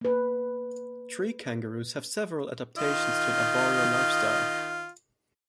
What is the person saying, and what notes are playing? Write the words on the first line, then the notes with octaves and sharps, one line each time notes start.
Tree-kangaroos have several adaptations to an arboreal life-style.
A#3 B4
D#3 F4 D#5